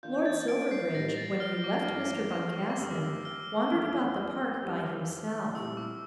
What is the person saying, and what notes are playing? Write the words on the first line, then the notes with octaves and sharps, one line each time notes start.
Lord Silverbridge, when he left Mr. Boncassen, wandered about the park by himself.
E3 A#3 D4 F4 G6
G6
A6
D7
C7
A2 E3 G3 A#3 A#6
A6
F6
D6
G2 E3 A3 E4
D6
D6
D6
G2 D3 A3 D4 G4 E6
F6
F2 E3 A3 C4
F2 E3 G3
A#2 G3 C4 E4 E6
D6